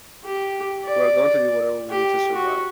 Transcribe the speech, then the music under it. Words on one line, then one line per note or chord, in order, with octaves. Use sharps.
We are going to do whatever we need to do to survive.
G4
D5
G4
F#4